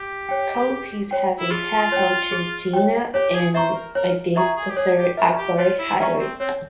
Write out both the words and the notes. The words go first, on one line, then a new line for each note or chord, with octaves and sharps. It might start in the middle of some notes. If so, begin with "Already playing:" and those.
Copies have been passed on to Jinnah, and, I think, to Sir Akbar Hydari.
Already playing: G4
C#5 G5
G#4
C#5 G5
E4
F4 G#4
C#5 G5
G#4
C#5 G5
G4 C#5
G4
G#4
C5 E5 A#5 C#6
A#4
A#4 C#5
G#4 E5 A#5 C#6
G#4
G4
G#4 C#5
G4
A#4 E5 A#5 C#6
G4
F4 C#5
E4
C#4 E5 A#5 C#6
C4
C4 C#5